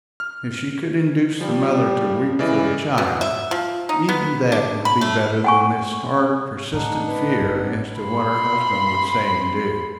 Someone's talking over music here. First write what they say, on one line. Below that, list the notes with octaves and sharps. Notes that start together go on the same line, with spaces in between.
If she could induce the mother to weep for the child, even that would be better than this hard, persistent fear as to what her husband would say and do.
F6
F3 G3
C#3 E3 D5 D#5
B2
E5
F3
D#4
B3
D4
B5
A3
F#5 G#5 C#6
A2 D4 D#4 F#5 A#5
B4
G#1
B5 C6